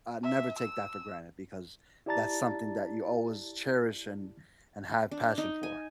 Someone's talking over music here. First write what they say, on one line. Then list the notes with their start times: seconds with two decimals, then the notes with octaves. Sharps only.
uh, never take that for granted, because that's something that you always cherish, and and have passion for.
0.23 E5
0.59 E6
2.06 E4 G4 D5 A5 A#5 A6
5.11 D4
5.38 D#4
5.63 G#5